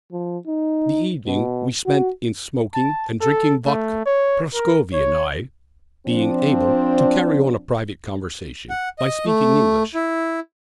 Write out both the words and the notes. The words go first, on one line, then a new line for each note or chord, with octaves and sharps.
The evening we spent in smoking and drinking vodka, Prascovie and I being able to carry on a private conversation by speaking English.
F3
D#4
B2
F#4
A5
A4
A3
C#5
A#4
C#5
F3 C4 D4
F#5
D#5
A3
E4